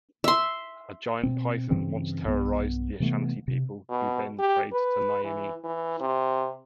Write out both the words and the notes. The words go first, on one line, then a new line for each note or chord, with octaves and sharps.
A giant python once terrorised the Ashanti people, who then prayed to Nyame.
E5 C6
B2 C4
G2 C#3 E3 C4
B1 G2 B3
C3 E3 A3 B3
C3
B2
G4
B4
E3
E3
C3